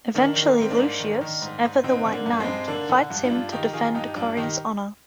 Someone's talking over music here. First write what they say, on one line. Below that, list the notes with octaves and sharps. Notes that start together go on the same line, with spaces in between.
Eventually Lucius, ever the white knight, fights him to defend Corrie's honor.
D#3 A#3 D4
D#3
A#3
G#2 C4
A#3 D4
G#2
D#3
D#3
G#2
G#2
D3 C4 D#4
D3
A#3 D4
G2
G#3 C4
G2
D3 A#3 D4
D3
G2
D4 F4
G2
D#3 D#4 G4
D#3 F4 G#4
G2 D#4 G4
G2 D4 F4
D#3 D#4 G4